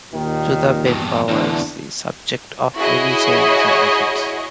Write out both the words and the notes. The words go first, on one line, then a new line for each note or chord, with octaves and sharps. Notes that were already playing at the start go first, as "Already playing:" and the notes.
Judah ben Bava is the subject of many sayings and legends.
D#2 A#2 D#3
E2 G2
E2 D3 E3 D4
E4 F#4 G#4 C#5 D#5